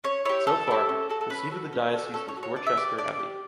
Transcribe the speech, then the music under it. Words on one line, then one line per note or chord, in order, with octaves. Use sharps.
So far, the seat of the diocese was Dorchester Abbey.
C#4 C#5
E4 G4 C#5
C#4 A4
E4 G4
C#4
F#4 A4
A4
C#4 B4
F#4 A4
C#4
F#4 A4
C#4 A4
C#5
F#4 A4
C#5
D4 D5
E5
G4 D5
D4 D5
G4